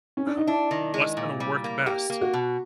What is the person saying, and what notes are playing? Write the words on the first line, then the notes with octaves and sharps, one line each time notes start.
How what's gonna work best?
C#4
D4
D#4
D4 E4
D#3
G#3
A#2
G3
A#3
A#3 G4
A#3
F#4
B2